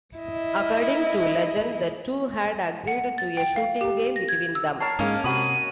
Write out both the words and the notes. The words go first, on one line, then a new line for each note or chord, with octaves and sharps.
According to legend the two had agreed to a shooting game between them.
E4 D#5
F#5
A6
G5
F5
G4
A#6
G#6
E6
A#4 C#5 A5 C7
G#2 G#3 A#3 C#4 D#5 F5
C3 F#4 B5 D#6 D#7